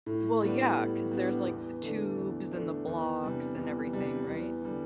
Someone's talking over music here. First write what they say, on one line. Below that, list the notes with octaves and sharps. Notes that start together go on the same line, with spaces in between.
Well, yeah, 'cause there's, like, the tubes, and the blocks, and everything, right?
A2
G3 B3 D4
A2
G3 B3 D4
E2
D3 A3 D4
E2
D3 A3 D4
E2
C3 G3 D4
E2
C3 G3 D4
E2
D3 G3